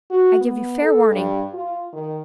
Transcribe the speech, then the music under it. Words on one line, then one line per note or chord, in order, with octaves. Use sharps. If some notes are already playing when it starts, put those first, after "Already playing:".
I give you fair warning.
F#4
B3
A4
G2
F4
D#3